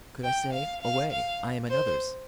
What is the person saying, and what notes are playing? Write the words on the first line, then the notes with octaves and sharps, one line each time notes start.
Could I say "Away! I am another's"?
G5
F5
F5
F5
C5